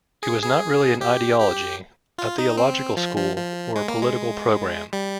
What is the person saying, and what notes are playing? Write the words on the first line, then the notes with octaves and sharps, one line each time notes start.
It was not really an ideology, a theological school, or a political programme.
G#4
G#4
G4
G4
F4
D#4
C4
F3
F3
F3
G#3
A#3
G#3
G3